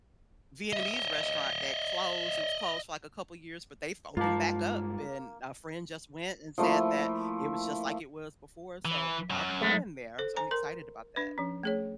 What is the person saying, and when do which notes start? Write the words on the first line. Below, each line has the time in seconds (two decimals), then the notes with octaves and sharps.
Vietnamese restaurant that closed. It was closed for, like, a couple of years, but they've opened back up and a friend just went and said that it was just like it was before, so I'll be going there, so I'm excited about that.
0.73 D#5 E5
4.17 G2 G#3 A#3 F4 A5
6.58 F3 A3 A#3 E4
8.85 E3
9.30 F#2 F#3
9.61 G#3 A3
10.19 A4 C5
10.37 C5 G#5 A#5
10.51 A#4 C6
11.16 D4 B4
11.38 F3 C#4
11.63 A3 G#4 C#5